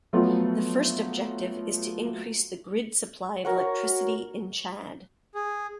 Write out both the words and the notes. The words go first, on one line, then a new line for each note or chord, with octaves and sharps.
The first objective is to increase the grid supply of electricity in Chad.
F3 F#3 A3 B3 F4
F#4 A#4 C#5 F#5
G#4